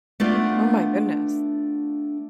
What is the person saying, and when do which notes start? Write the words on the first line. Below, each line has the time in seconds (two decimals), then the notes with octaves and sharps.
Oh my goodness.
0.20 A3 B3 D4 F4